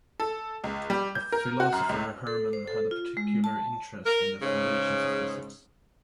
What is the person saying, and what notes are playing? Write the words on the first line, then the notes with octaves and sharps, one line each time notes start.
As a philosopher, Hermann had a particular interest in the foundations of physics.
A4
C#2
G3
G6
A#4
F#4
F#2
C#2
A4
C5
A4
F4
G#3
A5
A#4
G#2 C#3